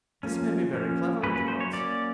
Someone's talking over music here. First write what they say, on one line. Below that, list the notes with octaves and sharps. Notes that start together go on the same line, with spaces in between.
This may be very clever of the gods.
F3 A#3 C#4
F3 A#3 C#4
F#3 A#3 C#4 B4
B4
C5
C#5
F#3 A#3 C#4 D5